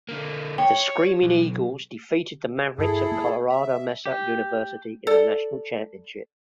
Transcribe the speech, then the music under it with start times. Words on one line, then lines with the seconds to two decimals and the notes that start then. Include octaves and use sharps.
The Screaming Eagles defeated the Mavericks of Colorado Mesa University in the national championship.
0.09 D3 A#3
0.58 C#5 G5
1.22 B1
2.78 G2 E4 G#4 A4
3.12 A#3
3.50 E5
4.06 G4
5.07 A4 D5